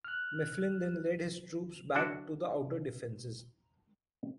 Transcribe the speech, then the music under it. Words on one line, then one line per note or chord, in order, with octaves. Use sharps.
Mifflin then led his troops back to the outer defenses.
F6 F#6
D3 F#3 D4 E4 F#4 A4